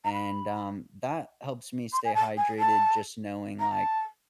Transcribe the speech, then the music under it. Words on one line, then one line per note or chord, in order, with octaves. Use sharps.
and, um, that helps me stay hydrated, just knowing, like,
A#5
B5
C6
G#5
A5
G#5
A5
A#5
A5